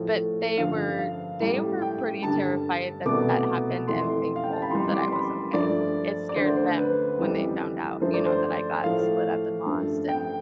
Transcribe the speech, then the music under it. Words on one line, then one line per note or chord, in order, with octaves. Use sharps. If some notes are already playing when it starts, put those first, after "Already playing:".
But they were they were pretty terrified that that happened and thankful that I was okay. It scared them when they found out, you know, that I got split up and lost, and,
Already playing: A2 F3 A3
G2 D3 F3 F5
F5
A2 G3
G5
G2 D3 G3 A5
C2 B2 A3 D6
F2 E3 A3 C6
F5
G5
A5
B5
F2 E3 G3 C6
D6
C6
B5
G2 F3 A3 D5
D5
D2 D3 A3 C5
C5
B4
F2 E3 G3
G2 F3 A3 C5
D5
C5
A2 F3 A3 F5
G2 F3 A3
G5